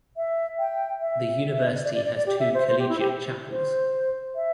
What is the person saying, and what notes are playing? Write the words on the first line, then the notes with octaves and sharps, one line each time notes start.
The University has two collegiate chapels.
E5
G5
E5
D5
D5
D5
D5
G4
E5
C5
C5
G4
E4
G4
C5
E5